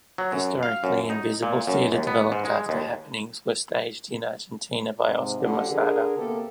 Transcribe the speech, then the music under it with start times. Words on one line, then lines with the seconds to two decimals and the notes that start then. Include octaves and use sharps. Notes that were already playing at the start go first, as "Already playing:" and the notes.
Historically invisible theatre developed after happenings were staged in Argentina by Oscar Mosatta.
0.18 F#3
0.32 F#2
0.63 F5
0.84 F#2
1.10 D#4
1.43 A#2
1.67 F#2
1.92 D#2
2.07 B3
2.32 G#2
2.45 G#3
2.69 D#2
5.07 G#2 C3
5.40 D3 F3 A3 C#4 G4
5.70 D3 G#4 A#4
6.18 C3 A#3 B3 G4 A4 A#4